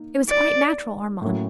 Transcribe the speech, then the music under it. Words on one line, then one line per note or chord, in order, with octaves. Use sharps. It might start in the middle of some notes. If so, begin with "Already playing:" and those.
It was quite natural, Armand.
Already playing: A#3 D#4
D5
A2 F#3 A#3 C#4